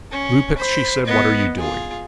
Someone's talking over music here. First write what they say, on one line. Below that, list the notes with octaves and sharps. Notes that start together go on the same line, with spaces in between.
"Lupex," she said, "what are you doing?"
C#4
C5 B5
B3 D#5
F4 G#4